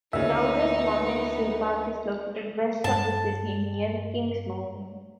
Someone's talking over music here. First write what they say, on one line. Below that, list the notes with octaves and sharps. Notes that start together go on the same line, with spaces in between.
Crowders Mountain State Park is located west of the city, near Kings Mountain.
D2 A#2 C#3 B3 D#4 A#4 E5
G2 G#3 A5